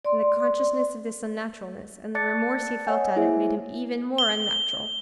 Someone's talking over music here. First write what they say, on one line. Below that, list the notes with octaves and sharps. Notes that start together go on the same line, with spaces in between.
And the consciousness of this unnaturalness, and the remorse he felt at it, made him even more unnatural.
D5 C6
D5 A5 D6 F#6 A6 C#7
C#5 D#5 F#5 G#5
A#3 E4 G#4 C5 E5 G#5
G7